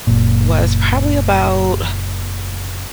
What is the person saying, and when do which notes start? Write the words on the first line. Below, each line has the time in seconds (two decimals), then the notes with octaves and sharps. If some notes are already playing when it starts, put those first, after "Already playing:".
was probably about
0.07 F#1 A#2